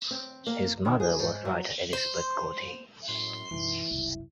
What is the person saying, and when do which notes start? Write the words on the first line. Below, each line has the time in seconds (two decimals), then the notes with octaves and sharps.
His mother was writer Elizabeth Goudie.
0.11 C4
0.47 A#3
0.85 D#3
1.00 G#4
1.19 G#2
1.45 F#3
1.93 C5
3.09 F#2 A2 C6
3.51 B1 F#2 E3 E4
3.91 E1 C2 F#2